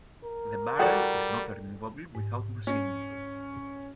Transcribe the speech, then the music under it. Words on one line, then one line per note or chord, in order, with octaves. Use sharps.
The barrel is not removable without machining, though.
A#4
G3 E4 F#4 A4 D5 G5
G#2
C#4